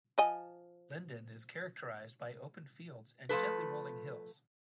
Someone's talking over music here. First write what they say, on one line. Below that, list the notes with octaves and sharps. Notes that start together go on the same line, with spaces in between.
Linden is characterized by open fields and gently rolling hills.
F3 D#5 G#5
F3 A3 A4 B4